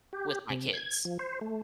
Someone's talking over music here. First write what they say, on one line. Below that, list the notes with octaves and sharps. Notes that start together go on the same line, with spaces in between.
with my kids."
G4
C3
G#6
F3
C5
A3